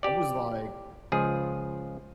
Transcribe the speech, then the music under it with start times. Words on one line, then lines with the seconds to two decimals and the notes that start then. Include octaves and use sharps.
I was like
0.03 G4 D5
1.12 C#2 F3 G#4